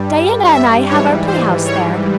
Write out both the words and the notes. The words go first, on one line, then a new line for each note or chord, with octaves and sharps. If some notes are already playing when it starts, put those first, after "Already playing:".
Diana and I have our playhouse there.
Already playing: G2 G3
E5
G#2 E3 G3 C#5
C5
C#5